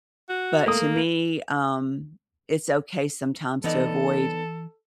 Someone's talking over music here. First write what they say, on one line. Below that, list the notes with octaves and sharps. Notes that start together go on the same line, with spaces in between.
but to me, um, it's okay sometimes to avoid
F#4
A3 A#3 D#6
E3 B3 D#4 A4 D5